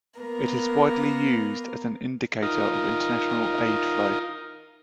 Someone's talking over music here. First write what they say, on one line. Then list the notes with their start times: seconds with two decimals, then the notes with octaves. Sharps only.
It is widely used as an indicator of international aid flow.
0.21 A#3 B3 A#4
2.42 D#4 F4 A#4